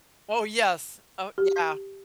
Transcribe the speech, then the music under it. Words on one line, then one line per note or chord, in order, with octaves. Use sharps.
Oh, yes. Oh yeah.
G4